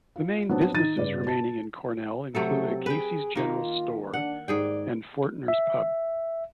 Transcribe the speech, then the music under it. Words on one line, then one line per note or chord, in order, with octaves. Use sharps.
The main businesses remaining in Cornell include a Casey's General Store and Fortner's Pub.
F4
F#3 B3 C4 D4
D#3 D#4 A6 D#7
G2 C#3 B4 D5
A5
C3 F#3 A3 A4
G#4 B4 G5
D#3 A#3 F4
D4 F#5
G#2 G#4 D5 G5
E5